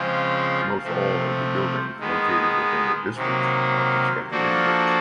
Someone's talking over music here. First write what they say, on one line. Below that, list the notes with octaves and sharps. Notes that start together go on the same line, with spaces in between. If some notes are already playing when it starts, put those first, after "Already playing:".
Most all of the buildings located within the district are constructed in brick.
Already playing: C#3 F3 G#3 C4 F4
C3 F3 A3 C4
D#3 G#3 B3
C3 D#3 F#3 A#3
F3 A#3 D4 F#4 A4